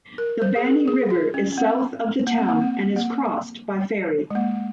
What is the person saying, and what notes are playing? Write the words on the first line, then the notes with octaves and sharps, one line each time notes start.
The Bani river is south of the town and is crossed by ferry.
A#4
C5
G#4
A#4
G#4
F4
C#4
C#4
C4
A#3
C4
A#3
C4
A#3
G#3
A#3